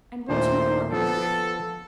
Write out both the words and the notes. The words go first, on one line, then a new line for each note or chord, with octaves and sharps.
And what's more,--adrift.
D#2 A#2 A3 C5
F3 B3 A4